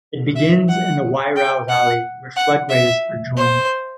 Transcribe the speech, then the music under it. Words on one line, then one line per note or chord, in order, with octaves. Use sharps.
It begins in the Wairau valley where floodways are joined.
E5
F#5
G5
F#5
F#5
E5
C5